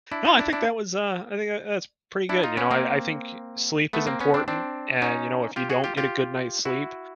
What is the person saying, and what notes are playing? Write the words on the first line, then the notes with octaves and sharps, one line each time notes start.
No, I think that was, uh, I think that, uh, that's pretty good, you know, I I think sleep is important and, you know, if you don't get a good night's sleep,
D4 E4
D#4 F4
D4 E4
D4 E4
D4 E4
D#4 F4
B3 C#4
A#3 C4
A3 B3
A#3 C4
B3 C#4
C4 D4
C4 D4
C#4 D#4
F4 G4
F#4 G#4
F4 G4
F4 G4
E4 F#4